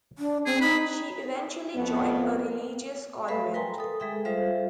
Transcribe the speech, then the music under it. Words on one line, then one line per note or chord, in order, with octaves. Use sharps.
She eventually joined a religious convent.
D4
C4 G#4
D#4 B5
F2 B3
A3 A4 B4 E5 F5 B5
A#4 B4 G5 G#5 A#5 C6
A4 D#6
G#3 G#4 A4 E5 G5
G3 F4 A4 C5 E5 F5